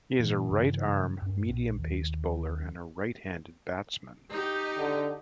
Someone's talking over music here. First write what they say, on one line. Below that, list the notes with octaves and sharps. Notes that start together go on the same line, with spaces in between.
He is a right-arm medium-pace bowler and a right-handed batsman.
A#2 E3
G2 C#3 E3
G2 C#4
A#1
D#2
D#4 G4
D3